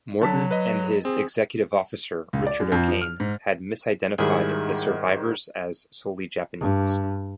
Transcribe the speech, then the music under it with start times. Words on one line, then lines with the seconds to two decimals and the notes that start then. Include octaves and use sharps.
Morton and his executive officer, Richard O'Kane, had misidentified the survivors as solely Japanese.
0.21 D3 F#3 A5 B6
0.51 B4 D#5
1.05 C4 G#4
2.33 C#2
2.47 D5
2.60 F#2
2.72 F2
2.88 F3
3.01 F6
3.20 G#2
4.19 G#2 D#3 G3 E4 G#4
6.60 G2